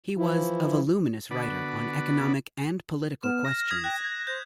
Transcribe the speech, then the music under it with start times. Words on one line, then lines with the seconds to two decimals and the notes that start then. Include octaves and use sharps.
He was a voluminous writer on economic and political questions.
0.17 E3 F3 E4
1.31 D3 B3 F#4 B4 D5
3.24 B3 F6 E7
3.45 A#6
3.70 D#6 G#6 B6
3.84 G5 D#6 F#6
4.02 G#6
4.27 C5 G6